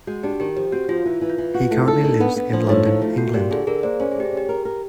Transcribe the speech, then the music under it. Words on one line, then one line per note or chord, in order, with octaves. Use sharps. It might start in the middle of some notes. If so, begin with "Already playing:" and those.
He currently lives in London, England.
G#3 F#4
D4 G4
D#3 G4
F3 G4
C4 F#4
F3 F4
E3 E4
E3
F4
E3
F4 F#4
A3 E4
D#4 A4
D#3 D4
B3
B3
F3 D4
A2 D#4
F3 E4
A3 F4
A3 F#4
A#2 G4
D3 G#4
D3 G#4 A#4
A#3 C5 D5
C#4 C5 D5
G#4
A3 G4
G#4
C#4 G4
A#4
A#4